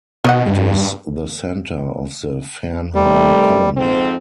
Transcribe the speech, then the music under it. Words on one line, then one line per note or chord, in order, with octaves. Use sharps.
It is the centre of the Fernheim Colony.
B2 D#3 D#5 F#5
G2
C3 D#3 G3 A3
F2 G#2 C4